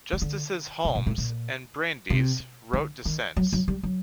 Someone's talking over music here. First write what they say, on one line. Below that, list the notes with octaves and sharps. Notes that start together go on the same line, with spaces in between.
Justices Holmes and Brandeis wrote dissents.
D#3
D3
C3
A#2
A2
A#2
C3
D3
D#3
F#3
F#3
G3
F#3